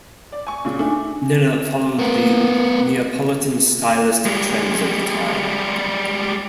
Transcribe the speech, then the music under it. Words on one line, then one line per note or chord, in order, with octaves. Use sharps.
Nenna followed the Neapolitan stylistic trends of the time.
D5
G#5 C#6
A#2 C#3
A3 D4 D#4 G#5
B3 A#4
G3 G#3